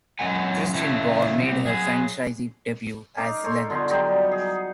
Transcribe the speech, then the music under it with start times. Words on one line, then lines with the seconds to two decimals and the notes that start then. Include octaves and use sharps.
Kristin Bauer made her franchise debut as Laneth.
0.19 F#2 F#3 G#3 F#5 G#5
0.73 A2 C#3 E3 G3 A3 E4
1.38 C3 G3
1.66 F#3 G#4
3.17 D#4 F5 D6
3.43 A4 C5 C#5 A#5
3.70 D3 B3 F4 G#4
3.90 F#3 G3 D#4 G4
4.32 G#4